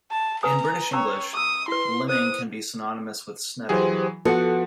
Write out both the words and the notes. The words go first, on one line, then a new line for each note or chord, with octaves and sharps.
In British English, limbing can be synonymous with snedding.
A5
B4 G#5 A#5 D#6
C#4 C#5 A#5 E6
C#6 D#6 E6
E4 B4 C6
C5 D#6
E3 F#3 G4 G#4 C5
F3 B3 F#4 A4